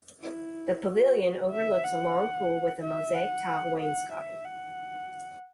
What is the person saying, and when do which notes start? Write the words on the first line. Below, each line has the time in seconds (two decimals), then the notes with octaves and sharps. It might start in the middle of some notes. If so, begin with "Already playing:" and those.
The Pavilion overlooks a long pool with mosaic tile wainscoting.
0.22 E4
0.87 F#4
1.52 E5
1.84 F#5
2.82 E5
3.14 F#5
3.80 F#5
4.13 E5
4.44 F#5